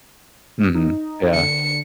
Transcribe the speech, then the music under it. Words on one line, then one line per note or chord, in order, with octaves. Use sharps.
Mhm. Yeah.
D#4
D3 C#7